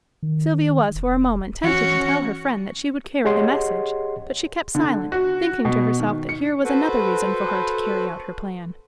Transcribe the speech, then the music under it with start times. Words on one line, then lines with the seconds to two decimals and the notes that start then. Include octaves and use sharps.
Sylvia was for a moment tempted to tell her friend that she would carry the message, but she kept silent, thinking to herself that here was another reason for her to carry out her plan.
0.23 D#3
0.95 E1
1.63 E3 C#4 F#4
3.25 G4 G#4 C#5 D#5 F#5 C6
4.75 D3
5.12 F#4
5.65 B2
6.00 D#3
6.29 C#7
6.64 F#4 A4 B4 C5